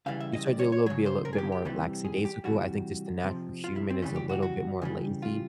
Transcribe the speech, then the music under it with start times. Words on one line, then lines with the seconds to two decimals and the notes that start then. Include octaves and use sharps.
you start to lil be a little bit more lackadaisical, I think just the natural human is a little bit more lazy
0.06 C#3 E3 G3 F5
0.20 E5
0.33 D#5
0.46 D5
0.59 C#5
0.72 C#5
0.86 C#3 F#3 C#5
1.06 C5
1.25 A#4
1.33 G#4
1.38 G4
1.52 G4
1.65 C3 E3 G3
2.05 G#4
2.25 G4
2.44 C3 E3 G3 F#4
3.23 C3 F3
3.64 F4
3.76 E4
3.90 C4
4.02 C#3 E3 G3 C#4
4.16 G4
4.29 F#4
4.43 F#4
4.82 C#3 E3 G3
5.22 F4